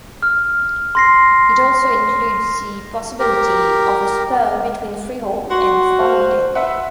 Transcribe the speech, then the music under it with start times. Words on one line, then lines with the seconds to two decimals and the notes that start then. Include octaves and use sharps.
It also includes the possibility of a spur between Freehold and Farmingdale.
0.23 F6
0.95 C6 A#6 C7
3.19 G4 A#4
5.50 F#4 C6
5.99 C5 F5
6.55 B4 E5 F#5 C6 E6